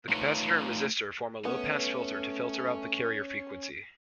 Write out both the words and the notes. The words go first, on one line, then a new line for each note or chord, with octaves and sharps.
The capacitor and resistor form a low-pass filter to filter out the carrier frequency.
A3 D#4 F4 A4 B4 C#5
A3 B3 C#4